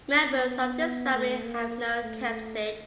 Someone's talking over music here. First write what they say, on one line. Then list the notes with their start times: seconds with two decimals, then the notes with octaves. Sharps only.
Members of this family have no capsid.
0.23 B3
1.14 A3
1.44 A#3
2.04 A3